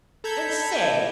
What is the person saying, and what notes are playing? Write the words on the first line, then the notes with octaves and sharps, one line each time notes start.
And say!
A4 A#5 B5 G6 G#6